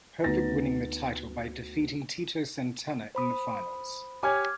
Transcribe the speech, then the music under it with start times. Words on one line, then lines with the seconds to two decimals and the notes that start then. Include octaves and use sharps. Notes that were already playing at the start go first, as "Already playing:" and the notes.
Perfect winning the title by defeating Tito Santana in the finals.
0.24 D2 B3 D#4 A6 A#6
3.15 C5 B5 D#6
4.23 G4 C#5 G#5 D6 F6 G#6